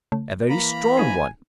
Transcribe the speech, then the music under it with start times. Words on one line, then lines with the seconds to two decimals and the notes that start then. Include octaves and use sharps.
A very strong one.
0.12 C#3 A3
0.50 E3 A#3 A#5 B5
0.97 C#4 D#4 C5 G#5